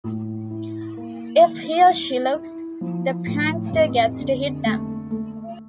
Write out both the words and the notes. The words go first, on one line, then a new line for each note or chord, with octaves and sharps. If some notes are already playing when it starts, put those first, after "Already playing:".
If he or she looks, the prankster gets to hit them.
A2
E4
A#3
E4
E4
E4
F3
A2
F1
D3
A3
A3